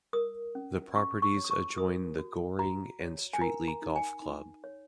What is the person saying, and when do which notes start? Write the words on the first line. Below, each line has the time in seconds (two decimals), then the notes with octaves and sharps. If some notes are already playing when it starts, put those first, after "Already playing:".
The properties adjoin the Goring and Streatley Golf Club.
0.13 A#4 D#6
0.55 C#4
0.95 C#4 C#6
1.22 C#6
1.37 C#5
1.45 D#6
1.51 C#6
1.77 A#4 D#6
2.19 F#4
2.59 F#4 A#5
3.00 C#5
3.33 G#5
3.41 A#4 A#5
3.68 A#5
3.82 D#4
3.96 G#5
4.22 D#4
4.64 C#5